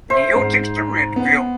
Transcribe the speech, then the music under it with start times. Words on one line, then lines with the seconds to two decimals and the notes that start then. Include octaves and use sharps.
Neo takes the red pill.
0.10 C5 E5
0.36 G#2
1.16 B3